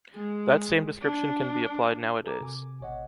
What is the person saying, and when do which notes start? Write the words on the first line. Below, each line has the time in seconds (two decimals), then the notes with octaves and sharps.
That same description can be applied nowadays.
0.15 G#3
1.01 D4
2.24 F#4 A4 A#4 G#5 A#5 D6
2.41 C3 G#5 D6
2.80 G#1 B2 C#5 D#5 F#5